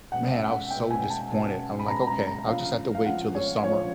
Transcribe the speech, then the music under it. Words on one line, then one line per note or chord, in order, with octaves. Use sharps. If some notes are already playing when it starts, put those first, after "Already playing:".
man, I was so disappointed, I'm, like, "Okay, I'll just have to wait till the summer
B2 G#3 C#4 F#5
E5
F#5
B2 G#3 C#4 G5
G#5
A5
B2 G#3 C#4
B5
B2 G#3 C#4 A#5
A#5
A#5
D3 F3 G#3 C#4 F5
F5
D3 F3 G#3 C#4 F#5
C#5
D3 F3 G#3 C#4 C#5